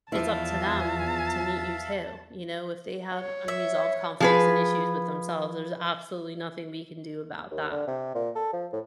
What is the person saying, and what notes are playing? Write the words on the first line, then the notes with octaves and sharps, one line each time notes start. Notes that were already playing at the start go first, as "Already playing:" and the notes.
it's up to them to meet you too. You know, if they have unresolved conflicts and issues with themselves, there's absolutely nothing we can do about that.
E2 F3 E4 E5 F5 A5
C#5
E5
F3 G#4 B4
D#2
D3
C3
A#2
A4
F3
A2